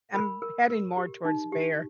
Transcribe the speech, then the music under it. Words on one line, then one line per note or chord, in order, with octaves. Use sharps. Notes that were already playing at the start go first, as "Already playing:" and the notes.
I'm heading more towards bear.
A#4 B5
A#4
A#4
G4
D#4
G4